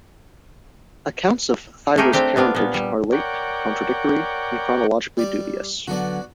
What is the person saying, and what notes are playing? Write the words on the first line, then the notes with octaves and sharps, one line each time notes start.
Accounts of Thyra's parentage are late, contradictory and chronologically dubious.
A3 D#4 G4 G#4 A#4
C4 D4 G4
B3 D4 F4
A#2 B3
G3
A#4 C#5 D5 F#5 G5
G3 D5
D3 F#3 B3 F#4 D5